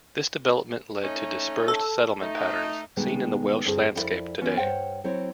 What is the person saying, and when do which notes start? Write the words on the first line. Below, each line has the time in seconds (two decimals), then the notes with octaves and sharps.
This development led to dispersed settlement patterns seen in the Welsh landscape today.
1.04 A3 C#4 D#4
1.68 A4
2.20 A3 D#4
2.97 B2 D#3 G3 G#3 B3
3.65 D2 G2 C4 E4 G#4 A5
3.95 F2 D#4 E4 A#4 D5
4.41 E3 B3 C#4 F4
4.57 G2 C5 C#5 F#5 G5
5.04 F#3 C4 E4 C#5